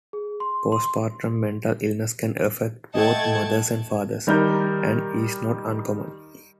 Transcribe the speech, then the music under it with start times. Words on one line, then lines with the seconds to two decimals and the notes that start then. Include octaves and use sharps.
Postpartum mental illness can affect both mothers and fathers, and is not uncommon.
0.13 G#4
0.40 C6
0.72 C6
2.94 A3 D#5 F#5 G5 A5 G#6
4.27 D#3 G3 D#4 A#4 G6